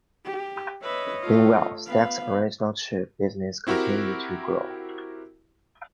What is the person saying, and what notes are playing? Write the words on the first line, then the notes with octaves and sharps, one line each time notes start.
Meanwhile, Stac's original chip business continued to grow.
G4
B4 C#5 D#5 E5
A3 F4
B3 B4 F5
C4 E4 F#4 G4 A#4